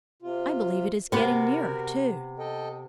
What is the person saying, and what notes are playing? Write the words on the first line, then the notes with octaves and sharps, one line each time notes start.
"I believe it is getting nearer, too."
C3 F4
C3 B3 F#4 A#4
A4 D#5 G5